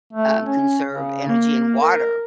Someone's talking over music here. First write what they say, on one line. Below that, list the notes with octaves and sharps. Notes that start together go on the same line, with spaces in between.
um, conserve energy and water,
A3
C#4
C#3
A#3
A#4